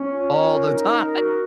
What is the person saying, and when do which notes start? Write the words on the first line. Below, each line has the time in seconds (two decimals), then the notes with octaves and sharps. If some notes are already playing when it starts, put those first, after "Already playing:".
all the time.
Already playing: C#4
0.09 F4
0.30 F4
0.50 A#4
0.71 D#4
0.92 A#4
1.13 F#4